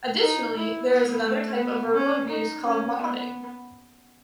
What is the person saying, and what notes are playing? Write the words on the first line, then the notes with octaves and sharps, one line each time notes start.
Additionally, there is another type of verbal abuse called mobbing.
D#4
E4
B3
A3
B3
C#4
D#4
C#4
B3